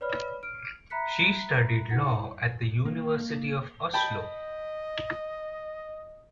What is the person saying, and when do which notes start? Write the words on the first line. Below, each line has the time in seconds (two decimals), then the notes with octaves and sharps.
She studied Law at the University of Oslo.
0.01 B4 C#5 D5 B5 F6
0.43 F6 D7
0.90 E5 A#5 B5 F#6 B6 C#7
1.90 D#4 E4 F#5 C#7
2.85 A#3
3.94 D#5 G5 A5 B5